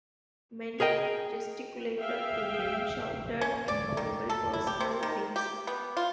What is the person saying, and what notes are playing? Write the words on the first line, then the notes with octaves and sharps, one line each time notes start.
Men gesticulated to him, shouted inaudible personal things.
G#4 A#4 D#5 G5
G#4 E5 F5 G5
C#4
D5
D#3
A4
E4
G4
C3
D#3
G4
B3
F4